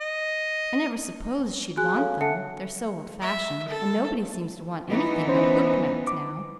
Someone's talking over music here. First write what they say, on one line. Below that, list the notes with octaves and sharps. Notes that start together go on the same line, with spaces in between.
I never supposed she'd want them--they're so old-fashioned, and nobody seems to want anything but hooked mats now.
D#5
F#4 G#4 G#5 F#6
A4 C#5 F5 G#5
A4 E5 F#5 A5 C#7
E5
A4
E3 B3 D#4
C#4 C5
D6